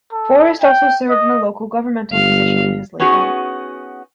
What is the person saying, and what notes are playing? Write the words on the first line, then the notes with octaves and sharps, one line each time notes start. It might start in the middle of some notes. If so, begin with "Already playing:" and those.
Forrest also served in a local governmental position in his late life.
A4
G5
D#5
G1 F5
B3 C#4 D#4 F#4 G#4